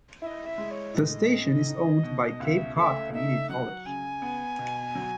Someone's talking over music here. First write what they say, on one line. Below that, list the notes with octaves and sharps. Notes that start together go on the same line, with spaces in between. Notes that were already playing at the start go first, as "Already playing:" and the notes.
The station is owned by Cape Cod Community College.
E4 D#5 E5
E5
G#3
C#5
A2 D#5
C#4
D#4
B2
C#2 E5 F#5
A3 E5
D#4 E5
F#3 F#5
C#3 G#5
B3
B2
F#3